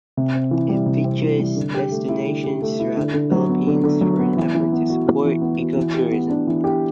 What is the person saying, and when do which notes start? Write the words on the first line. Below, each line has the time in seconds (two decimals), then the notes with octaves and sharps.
It features destinations throughout the Philippines for an effort to support ecotourism.
0.17 C3
0.34 C4
0.51 E3
0.69 G3
0.86 C3
1.04 C4
1.22 E3
1.39 G3
1.56 D3
1.74 G4
1.91 A3
2.09 E4
2.27 D3
2.44 G4
2.62 A3
2.80 E4
2.97 D3
3.14 D3
3.31 F#3
3.49 B3
3.67 D3
3.84 D3
4.01 F#3
4.19 B3
4.37 E3
4.55 E3
4.72 B3
4.90 F#4
5.07 E3
5.25 E3
5.41 B3
5.60 F#4
5.77 E3
5.94 G4
6.11 B3
6.30 D4
6.47 E3
6.64 G4